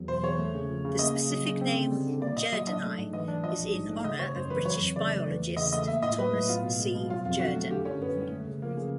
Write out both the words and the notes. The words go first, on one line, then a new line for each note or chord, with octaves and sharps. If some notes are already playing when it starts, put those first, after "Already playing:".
The specific name, "jerdoni", is in honor of British biologist Thomas C. Jerdon.
Already playing: E2 F#3
B2 C5
E2 C#5
A3
C#3
F3
C#3
A#3 D#5
C#3
F#3
C#3
C4
D3
G3
D3
A#3 D5
A#2 D#5
F#3 D#5
D4 D#5
A3
G#2
E3 D#5
D4
F3 D#5
A#1
G#2
A3
C#3 D#5
G#1 C#5
F#2 C5
E3 B4
F#3 C#5
F2
C#3 D5
A3
E3
E2
C#3 D#5
A3 D#5
A#3 E5
A2 D#5
F#3 B4
A2
B3 F4
B2
G#3
B2
F#3 F4
F2 F4
D3 F#4
A3
D3 G4
G1 C#4
F#2 B3
G3
A3
C#3
F3 A#3
C#3